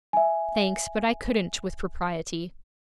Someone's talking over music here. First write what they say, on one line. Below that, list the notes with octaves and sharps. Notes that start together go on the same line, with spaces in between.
'Thanks, but I couldn't with propriety.
E5 G#5